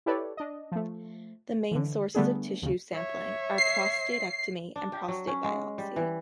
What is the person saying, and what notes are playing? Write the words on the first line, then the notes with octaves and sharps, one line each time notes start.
The main sources of tissue sampling are prostatectomy and prostate biopsy.
E4 G4 A4 B4 C#5 D5
D4 D#5
F3 A3
D3 E3
D3 G3 A3 B3 D4 G#4
D#2 C#3
C#5 E5
C7
D4
G4
F#3
C#4
G#3
G3
E3